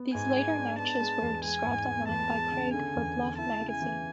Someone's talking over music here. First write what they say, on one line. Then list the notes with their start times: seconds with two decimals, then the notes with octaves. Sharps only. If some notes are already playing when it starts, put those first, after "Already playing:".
These later matches were described online by Craig for Bluff Magazine.
Already playing: B3
0.13 G#2 G#5
0.36 G#3
0.57 D4
0.79 B3 A5
1.00 G#3
1.22 E2
1.43 G#3 G#5
1.65 G#2
1.87 B3
2.08 E2 A5
2.29 G#3
2.52 C#3
2.73 D3 G#5
2.95 E2
3.17 D3
3.38 E4 A5
3.60 C#3
3.71 G#5
3.82 E3